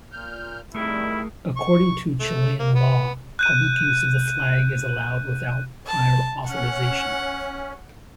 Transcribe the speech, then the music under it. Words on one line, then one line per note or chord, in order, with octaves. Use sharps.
According to Chilean law, public use of the flag is allowed without prior authorization.
A#2 F6 G6
F2 D#3 G3 A3 E4 G#4 A#4
C#6
A3
A#3
B3
F#6 G6 D#7
A5
C#4 F#5